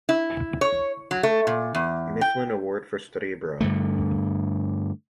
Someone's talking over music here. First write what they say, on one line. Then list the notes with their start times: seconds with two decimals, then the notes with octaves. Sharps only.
Mifflin Award for study abroad.
0.09 E4
0.61 C#5
1.11 F#3
1.23 A3
1.47 A#2
1.75 E2
2.21 G5
3.61 G2 D3 A3